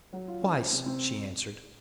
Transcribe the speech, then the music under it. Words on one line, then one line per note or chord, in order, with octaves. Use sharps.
"Twice," she answered.
F#3
F4
C#4
C5
C3
C4